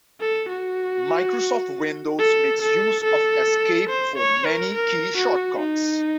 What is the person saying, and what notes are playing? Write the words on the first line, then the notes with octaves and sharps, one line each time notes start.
Microsoft Windows makes use of "Esc" for many key shortcuts.
A4
F#4
A4
A4
A4
C5
C#5
A#4
A#4
F#4
D#4